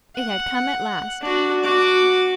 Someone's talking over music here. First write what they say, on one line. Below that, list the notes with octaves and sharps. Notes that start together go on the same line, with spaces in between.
It had come at last.
F#5
D4 F#4
F#4 D6